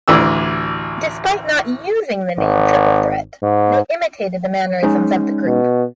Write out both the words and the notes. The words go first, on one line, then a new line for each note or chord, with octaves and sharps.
Despite not using the name Triple Threat, they imitated the mannerisms of the group.
A1 D2 E3 D4 D5 E6
G#1
G#2
G#3 C#4 D#4
B2